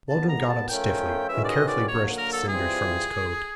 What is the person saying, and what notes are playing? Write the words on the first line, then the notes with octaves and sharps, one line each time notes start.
Waldron got up stiffly and carefully brushed the cinders from his coat.
A#2 G3 B3 A5
A#5
A5
F3 A3 C#4 F4 A#4 G5
D#3 G#3 C#4 F#4 B4 E5
D5
D#5
D5
D3 F#3 A#3 C#5
A#4
A4
E3 G3 C4 F4 G#4